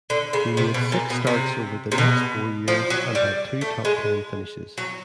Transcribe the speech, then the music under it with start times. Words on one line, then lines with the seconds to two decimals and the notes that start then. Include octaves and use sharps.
He made six starts over the next four years and had two top-ten finishes.
0.10 D3
0.33 C#3
0.57 C3
0.74 B2
0.92 A#2
1.10 B2
1.27 C3
1.92 C3
1.98 B2
2.68 F3
2.90 F#3
3.15 G3
3.61 A3
3.85 G#3
4.78 F#3